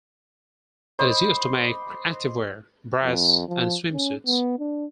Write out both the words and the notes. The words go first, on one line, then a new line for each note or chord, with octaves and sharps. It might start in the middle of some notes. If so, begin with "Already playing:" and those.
It is used to make activewear, bras, and swimsuits.
C5 D#5 B5 D6
F2
F3
C#4
B3
D4